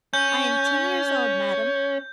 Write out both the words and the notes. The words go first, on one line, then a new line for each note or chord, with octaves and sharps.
"I am ten years old, madame."
C#4 G6